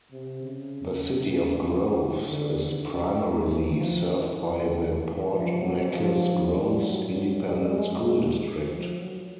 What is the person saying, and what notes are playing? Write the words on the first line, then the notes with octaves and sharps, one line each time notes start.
The City of Groves is primarily served by the Port Neches-Groves Independent School District.
C3
C#3
D3
C#3
E3
F3
E3
F3
F#3
F3
G3
F#3
F#3
G3
G#3
G#3
F3
F#3